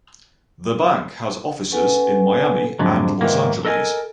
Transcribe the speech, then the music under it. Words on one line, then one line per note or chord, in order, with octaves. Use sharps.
The bank has offices in Miami and Los Angeles.
C#4 A4 B4 F#5 G#5
F2 G#2 D3 F#3
G#2 D#3 E3 A#3
A4 A#4 D#5 F5 G#5